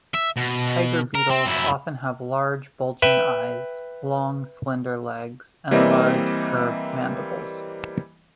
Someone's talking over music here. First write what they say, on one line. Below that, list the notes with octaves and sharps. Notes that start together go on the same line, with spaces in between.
Tiger beetles often have large bulging eyes, long, slender legs and large curved mandibles.
E5
B2
A#4
C4
F#2 E4
B4 E5 G5
E3 G3 A#3 C4 D#5 E5